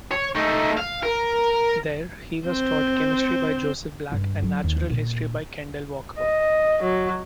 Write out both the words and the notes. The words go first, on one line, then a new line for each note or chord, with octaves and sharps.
There he was taught chemistry by Joseph Black and natural history by Kendall Walker.
C#5
A3 D#4
F5
A#4
C4 C5
G2
F#3
D#2
A#2
D#5
F#3